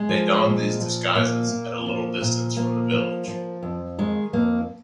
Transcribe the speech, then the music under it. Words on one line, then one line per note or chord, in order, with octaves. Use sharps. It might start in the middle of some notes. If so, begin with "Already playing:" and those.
They don these disguises at a little distance from the village.
Already playing: G#3
F3
A#2
F3
A#2 A#3
A#2
F3
A#2
F3 A#3
F3
F3
F2
D#3 G#3
F2 A#3